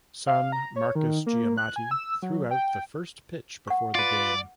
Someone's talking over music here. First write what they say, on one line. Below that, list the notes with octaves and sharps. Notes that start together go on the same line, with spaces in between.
Son Marcus Giamatti threw out the first pitch before the game.
F5
A#5
C#5
D#3
A#3
F#6
G#5
E6
F#3
G5
F#5 C#6
F4 B4 D5